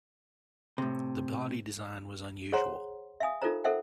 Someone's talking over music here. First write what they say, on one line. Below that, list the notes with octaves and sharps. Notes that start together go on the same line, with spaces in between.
The body design was unusual.
A2 C3
G#4 C5 C#5 F#5 A#5 C6
E5 F5 G#5 D#6
D#4 F4 A4 A#4 C5 A#5
A4 A#4 C5 E5 F#5 G5